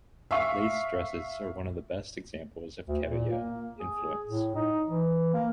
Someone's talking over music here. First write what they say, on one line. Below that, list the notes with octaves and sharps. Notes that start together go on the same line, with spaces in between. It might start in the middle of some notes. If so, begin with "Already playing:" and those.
Lace dresses are one of the best examples of Kebaya influence.
E5 F5 C#6
D2
A#2
A#3
G#4
A2
D#4
E3
A#3